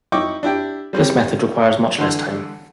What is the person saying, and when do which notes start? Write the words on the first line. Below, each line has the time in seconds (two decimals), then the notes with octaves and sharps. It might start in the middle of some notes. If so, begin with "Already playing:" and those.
This method requires much less time.
0.12 D#4 E4 G5 C#6 D6
0.43 D4 E4 G4 G5
0.93 G3 C4 C#4 G4
1.98 D3 E3 C6